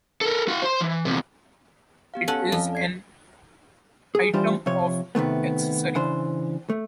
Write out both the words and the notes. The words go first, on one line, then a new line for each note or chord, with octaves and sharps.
It is an item of accessory.
A4 A#4
F#4 F5
C5 C6
E3
E2 C3
B3 G4 F5
C#4 A4 F#5
F2 F5
D5 G#6 C7
G#4
E3 G3 D4 F4 G4 C5
C3 F3 C#5
C3 D#3 A3 B3
C#3 E3 D4 C5
A3